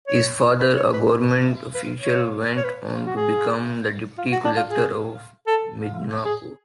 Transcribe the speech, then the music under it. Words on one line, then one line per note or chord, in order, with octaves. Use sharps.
His father, a government official, went on to become the Deputy Collector of Midnapur.
C#5
B4
C#5
B4
B4
C#5
C#5
B4
F#4
G#4
F4
F#4
D4
F4
G#4
A4
G#4